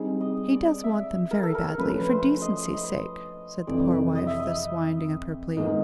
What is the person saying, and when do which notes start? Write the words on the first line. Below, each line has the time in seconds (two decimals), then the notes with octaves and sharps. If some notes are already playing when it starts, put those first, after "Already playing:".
"He does want them very badly--for decency's sake," said the poor wife, thus winding up her plea.
Already playing: G3 C4 D#4 G#4
0.21 D#5
0.53 D5
0.84 E5
1.31 A#4
1.43 A4
1.55 A#4
1.78 F3 A3 C#4 F4 B4
2.09 C5
2.42 D#5
2.73 D#5
3.67 F2 C3 E3 D5
4.15 D#5
4.27 E5
4.40 D#5
5.57 G#2 D#3 G#3 B3 D#4 D#5